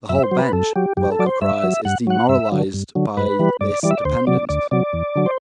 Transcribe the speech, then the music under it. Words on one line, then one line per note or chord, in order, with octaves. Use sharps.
The whole bench, Welcker cries, is demoralized by this dependence!
F#2 E5
C5
F#3
B4
F#2 A4
F#3 G4
F#2 G4
A4
F#3 D5
C5
G2 E5
F#3
G2 F#5
F#3 F#5
G2 E5
D3 F#3
G2
D3 F#3
G2 B4
E3 G3
G2 D5
E3 G3 D5
E5
D5
D2 C5
C3 F#3 D5
D2 D5
C3 F#3 D5
E2
D3 F#3
C5